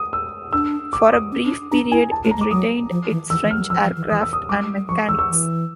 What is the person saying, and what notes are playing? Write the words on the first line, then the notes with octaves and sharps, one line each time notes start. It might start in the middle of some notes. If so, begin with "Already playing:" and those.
For a brief period it retained its French aircraft and mechanics.
Already playing: D#6
E6
D4 E6
D6
D#6
C#4
D4
D4 A#5
E4 G#5
A5
A3
A#5
G#3
D6
F#3 D#6
F3
E3
E3 E6
E3
F6
F#3
F3 E6
F3
E3
E3 D#6
E6
D#6
G3 D6
G#3
G3
F3 C#6
E3 E6
E6
E3